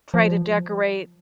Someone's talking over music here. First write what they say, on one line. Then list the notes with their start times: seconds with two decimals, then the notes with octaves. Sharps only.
try to decorate
0.14 F3